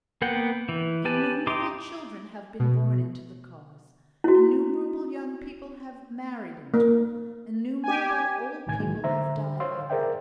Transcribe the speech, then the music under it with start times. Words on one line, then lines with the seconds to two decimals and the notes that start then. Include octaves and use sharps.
Innumerable children have been born into the cause; innumerable young people have married into it; innumerable old people have died out of it.
0.22 A#3 B3 F#5 G5
0.69 E3
1.05 G4 B4 G#5 A5
1.47 D#4 G4 C6 D6
2.60 B2
4.24 E4 F#4
6.74 A#3
7.84 G4 G#5
8.67 C2 A2 D#3 G#5 G#6
8.80 A2 D#3 E3 F#3 G#3 A#3
9.04 D3 C5 E5 A#5
9.38 D3
9.60 C5 C#5 F5 C6 E6
9.90 G#4 A#4 C5 D5 E5 G5